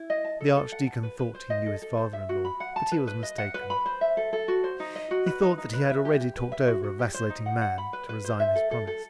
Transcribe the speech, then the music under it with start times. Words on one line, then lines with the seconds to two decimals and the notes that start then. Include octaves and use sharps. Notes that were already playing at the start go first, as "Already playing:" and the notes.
The archdeacon thought he knew his father-in-law, but he was mistaken; he thought that he had already talked over a vacillating man to resign his promise.
Already playing: E4
0.10 D#5
0.24 A5
0.41 A4
0.56 A4
0.72 F#5
0.87 A5
1.03 B4
1.19 B4
1.35 C5
1.50 D#5
1.66 A4
1.82 A4
1.97 C5
2.13 E5
2.29 F#4
2.45 B5
2.60 F#5
2.76 A5
2.92 B4
3.08 B4
3.23 D#5
3.38 F#5
3.54 B4
3.70 B5
3.86 C5
4.01 E5
4.17 A4
4.33 A4
4.48 F#4
4.64 C5
4.80 D#4
4.96 D#5
5.11 F#4
5.26 B4
5.42 D#4
5.58 D#4
5.73 B4
5.90 E5
6.05 G4
6.21 G4
6.37 B4
6.52 E5
6.68 F#4
6.84 F#4
6.99 G4
7.14 C5
7.30 D#4
7.46 F#5
7.62 F#5
7.78 B5
7.93 B4
8.09 B4
8.24 C5
8.40 E5
8.55 A4
8.71 A4
8.87 A4